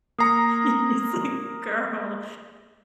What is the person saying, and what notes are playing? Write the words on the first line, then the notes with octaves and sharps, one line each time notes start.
he's like, "Girl,
A#3 A#5 D#6 C7 C#7